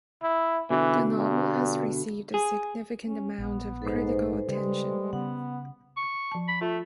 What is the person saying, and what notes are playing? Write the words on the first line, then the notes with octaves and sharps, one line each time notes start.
The novel has received a significant amount of critical attention.
E4
B2 D3 E3
G2
G#4
C#4
A#1 B3
G#2 A4 B4 C5
C#3 G3 G#3
C#3 B3 F#5
C#6
F3 A5
B5
A3 F4